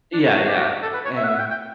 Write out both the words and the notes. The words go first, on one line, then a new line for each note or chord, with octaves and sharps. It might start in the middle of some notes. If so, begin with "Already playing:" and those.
Yeah, yeah, and
D4
F#4
F#4
G4
F#4
G4
A4
B4
C#5
E5
F#5
E5
F#5
G5
G5